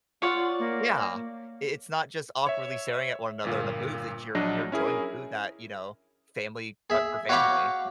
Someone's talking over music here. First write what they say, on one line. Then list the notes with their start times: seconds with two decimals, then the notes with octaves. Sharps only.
Yeah, i it's not just awkwardly staring at one another in a booth, it's you're you're enjoying the food that, you know, family prep for family.
0.22 F4 C#5 D5 F#5
0.59 A#3
2.46 C#5 E5
3.44 G1 A#2 F5
4.35 A#1 F#3 D4 D#5 A#6
4.72 C#4 E4 G#4 A#4
6.90 G#4 E5
7.29 F#4 C#5 F5 G5 B5 D6